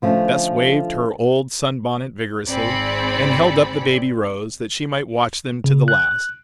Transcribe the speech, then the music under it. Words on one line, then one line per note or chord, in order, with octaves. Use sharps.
Bess waved her old sun-bonnet vigorously, and held up the baby Rose, that she might watch them to the last.
D3 F3 A3 C#4
G#1 C4 D5 G#5 B5 C#7
C#3
F#6